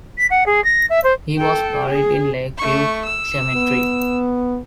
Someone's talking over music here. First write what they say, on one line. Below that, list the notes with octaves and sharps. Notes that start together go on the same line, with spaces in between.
He was buried in Lake View Cemetery.
B6
F#5
G#4
A#6
E5
C5
A4 G5
G#4
A3 C#6
E6
B3